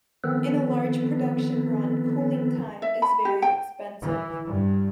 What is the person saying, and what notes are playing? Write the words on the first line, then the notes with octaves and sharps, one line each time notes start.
In a large production run cooling time is very expensive.
D#3 F3 B3 C4 A4 B4
E5
B5
G4
G5
E3
G2